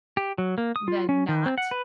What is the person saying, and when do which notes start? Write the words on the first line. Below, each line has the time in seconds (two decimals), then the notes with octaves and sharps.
than not,
0.17 G4
0.38 F#3
0.58 A#3
0.76 D#6
0.88 F4
1.09 C#4
1.28 D#3
1.46 C4
1.58 F#5
1.71 B4